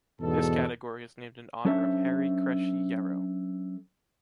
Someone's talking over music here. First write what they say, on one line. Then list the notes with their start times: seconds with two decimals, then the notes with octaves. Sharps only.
This category is named in honour of Harry Crécy Yarrow.
0.20 E2 G#2 B2 A4
1.65 F#3 C#4 D4 A4 C5 E5